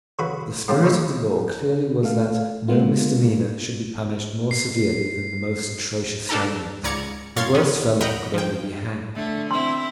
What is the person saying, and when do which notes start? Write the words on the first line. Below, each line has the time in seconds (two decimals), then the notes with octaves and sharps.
But the spirit of the law clearly was that no misdemeanour should be punished more severely than the most atrocious felonies. The worst felon could only be hanged.
0.19 C#3 E3 F#4 B4 B5
0.68 G#2 F3 F#3 A#3 C4 G4
0.83 E2 A#3 C#4 D#4 E4
2.03 A3 A4 F5
2.68 G#3 A#3 B3 F4
4.51 C7
6.29 D4 D#4 G4 A4 A#4
6.83 C#2 G#2 D5 A#5 G#6 C#7
7.36 G2 C#5 F5 C6 G#6 A6
7.54 D#3 F3 B3 C#4
8.01 D#5 F#5 G5 A#5 B5
8.34 F3 G5
9.15 D3 A3
9.51 C4 E4 C6